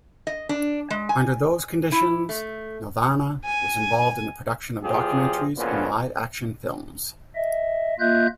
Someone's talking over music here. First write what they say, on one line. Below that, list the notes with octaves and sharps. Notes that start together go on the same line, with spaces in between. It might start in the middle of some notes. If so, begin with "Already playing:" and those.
Under those conditions, Nelvana was involved in the production of documentaries and live-action films.
D#5
D4
G#3
G#5
E4
A3
G#5
E2 F3 F4 G4 G#4
F2 A#2 C#3 E3 B3
D#5 E5
A#3 F4 D#5 E5 F#6 G6